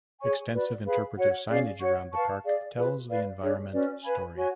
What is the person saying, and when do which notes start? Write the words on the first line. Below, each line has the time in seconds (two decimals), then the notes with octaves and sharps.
Extensive interpretative signage around the park tells the environment story.
0.21 G#4 C#5 G#5 C#6
0.53 F#4 B4 D5
0.85 G#4 B4 F5 B5
1.17 F#4 C#5 F#5
1.49 C#4 G#4 D5 F5
1.80 F#4 C#5 F#5 C#6
2.12 B4 F5 A5 C#6
2.44 G#4 D5 F5
2.77 F4 G#4 B4
3.08 B4 D5 F5
3.40 D4 G#4 C#5
3.72 C#4 F#4 B4 D5
4.04 B4 F5 G#5 B5
4.36 F#4 C#5 G#5